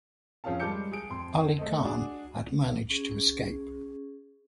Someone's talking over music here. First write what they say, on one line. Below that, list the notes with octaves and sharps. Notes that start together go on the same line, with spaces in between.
Ali Khan had managed to escape.
F2 F3 C#4 G#4 F5 A5
G3 G#3 A5 D6 G6 C#7
G#4 D7
F2 C6
A3 C4 D#5
D4 F#4 G#4
C#4 G#4